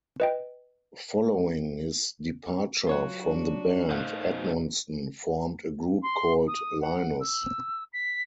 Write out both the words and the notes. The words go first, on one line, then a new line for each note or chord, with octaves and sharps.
Following his departure from the band, Edmonston formed a group called Linus.
B4 D#5 G5
F#3 F4 F#4 C#5 F#5
D4
A2 A3 D#4 C5 F5 F#5
F2 B2
C6
D#6
F#5
E6
B6